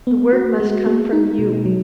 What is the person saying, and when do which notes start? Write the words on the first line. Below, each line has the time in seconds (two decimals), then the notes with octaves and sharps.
The word must come from you.
0.07 B3
0.33 F#4
0.60 G#3
0.86 A#3
1.13 D#4
1.39 B2
1.65 F#3